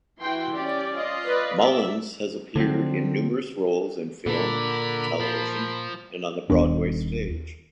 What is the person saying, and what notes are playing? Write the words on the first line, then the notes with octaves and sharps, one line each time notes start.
Mullins has appeared in numerous roles in film, television and on the Broadway stage.
E3 E4 F#4 G5 C6
C#4 G4 D5
F4 D#5
B4 D5
D5 E5
D3 F3 F#3 C4
A#2 D3 A#4 B5
F3
D#1 D#2 B3 D4